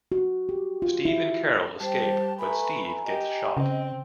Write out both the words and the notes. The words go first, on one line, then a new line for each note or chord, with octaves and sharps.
Steve and Carol escape but Steve gets shot.
F#4
G4
F4
E4
G3 G4 C5 A5
A3 B4 G#5 A#5 B5
G4 D#5
C#3 C4